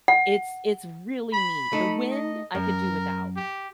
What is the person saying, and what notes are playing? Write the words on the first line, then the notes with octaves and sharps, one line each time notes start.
It's it's really neat. The wind, I could do without,
F#5
B5
A3 D#4
D#5
F#2 A#4
G4